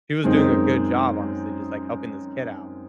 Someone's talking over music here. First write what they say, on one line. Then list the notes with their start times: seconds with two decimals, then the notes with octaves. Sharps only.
she was doing a good job, honestly, just, like, helping this kid out,
0.24 F#2 D#3 G#3 C4 D#4